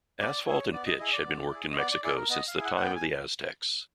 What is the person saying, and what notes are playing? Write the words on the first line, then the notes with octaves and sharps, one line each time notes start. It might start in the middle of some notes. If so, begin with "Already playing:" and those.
Asphalt and pitch had been worked in Mexico since the time of the Aztecs.
B3 D5
E4 G#4 C#5
B3 D5
D#5
E4 G#4 D#5
D5
B3
E4 G#4
D#5
B3 D5
D5
E4 G#4 D5
A#4
B3 D#5
F5
E4 G#4
F#5
F#5
B3 G5
G#5